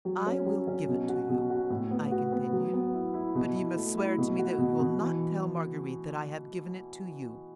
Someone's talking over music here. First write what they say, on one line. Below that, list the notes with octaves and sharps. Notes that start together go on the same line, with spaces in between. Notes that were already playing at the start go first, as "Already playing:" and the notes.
"I will give it to you," I continued, "but you must swear to me that you will not tell Marguerite that I have given it to you."
F#3
C#4
F#3
C#4
B2
F#4
B2
F#4
A2
B3
F#4
B3
F#3
B3
E4
E4
B2
E4
A3
E4
B2
F#4
B2
B2
E3